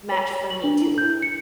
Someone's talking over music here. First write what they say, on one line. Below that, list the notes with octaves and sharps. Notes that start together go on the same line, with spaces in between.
match for me too."
C#5
F#7
D4
E4
G6
C#7